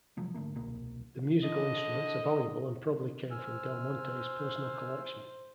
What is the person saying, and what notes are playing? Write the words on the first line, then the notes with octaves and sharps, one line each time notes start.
The musical instruments are valuable and probably came from Del Monte's personal collection.
C3 F3 F#3 G#3
G#1 D3 A3 A#3
D#1 C2 B2 A#3
D3 D#5
C5 G#5 E6 F6